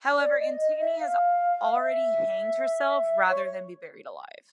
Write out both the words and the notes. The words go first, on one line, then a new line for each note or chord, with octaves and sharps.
However, Antigonae has already hanged herself rather than be buried alive.
D5
D#5
D#5
E5
F5
D#5
E5
C#5